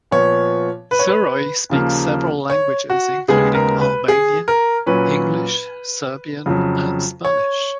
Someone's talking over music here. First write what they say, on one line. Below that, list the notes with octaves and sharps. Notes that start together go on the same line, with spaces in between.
Surroi speaks several languages, including: Albanian, English, Serbian and Spanish.
A#2 F3 B3 C#5
B4
C#5
B4
D#2 C#3 F3 A#3
C#5
F#4
D#2 C#3 G#3 B3 G#4
A#4
B4
G#4
A#4
A#2 F#3 C#4 B4
F2 C#3 F#3
C#5